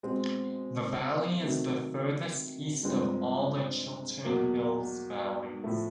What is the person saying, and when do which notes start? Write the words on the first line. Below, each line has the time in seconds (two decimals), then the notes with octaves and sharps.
The Valley is the furthest east of all the Chiltern Hills valleys.
0.03 B2 G#3 C4
1.43 C3 D#3 F#3 A3
2.83 G2 D3 F3 G#3 C4
4.24 E2 B2 F#3 A#3
5.64 A2 F3 A3